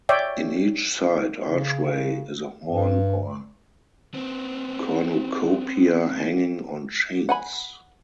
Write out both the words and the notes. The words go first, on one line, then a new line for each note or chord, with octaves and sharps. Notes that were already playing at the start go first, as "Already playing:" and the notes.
In each side archway is a horn or cornucopia hanging on chains.
C#5 D5 E5 G5
C#3
G2
B3 C4
F#5 G#5 B5